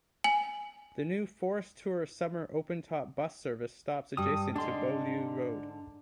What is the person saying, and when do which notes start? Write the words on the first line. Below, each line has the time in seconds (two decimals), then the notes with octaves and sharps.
The New Forest Tour summer open top bus service stops adjacent to Beaulieu Road.
0.24 G#5 F#7
4.17 G2 G3 D#6
4.56 G#2 D3 D4 C6